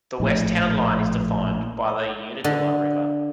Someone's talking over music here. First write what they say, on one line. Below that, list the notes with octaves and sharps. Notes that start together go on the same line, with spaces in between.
The west town line is defined by the Unadilla River.
A#1 A2
D3